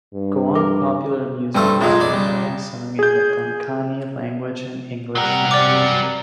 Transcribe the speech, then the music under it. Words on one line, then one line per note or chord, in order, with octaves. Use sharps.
Goan popular music is generally sung in the Konkani language and English language.
G2
A#4 D6
G2 G3 A3 C5 C#6 E6
B1 C#3 G#3 F4 B5
D5 B5
G3
G#4 G6
C3 F#3 G3 A#4 F#5
D5 D6